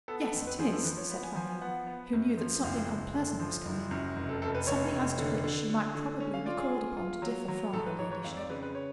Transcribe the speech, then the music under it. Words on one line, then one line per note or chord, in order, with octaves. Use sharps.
"Yes, it is," said Fanny, who knew that something unpleasant was coming--something as to which she might probably be called upon to differ from her ladyship.
B3 A4
A4
F2
B4
F3 G#4
A4
F3 B4
C#5
B3
G#5
F3 G#5
G#5
B3 F#5
B3
F#2
F3
F#1 F5
F#1
D3
F3
F#1
F#2
F1
A4
F1 A4
B4
F1 C#5
F1
D3
D3
D3
D3
C#4
F5
F4 D5
G#4
F4
F4
F#3
F#3
G#2 A4
B4
G#2 C#5
C#5
F2 F5
D5
C#3 B4
B4
C#5